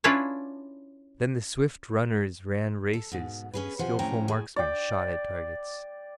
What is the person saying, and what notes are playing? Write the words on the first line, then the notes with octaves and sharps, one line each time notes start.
Then the swift runners ran races, and the skilful marksmen shot at targets.
C#4 D4 E4 F4 B4 C#5
A4
G#2 B2
C#4 G#4 B4
C3 F3 C5 F#5 G#5
A2 C3 F3 C#4 G5 A#5
A2 G#4
D5 G5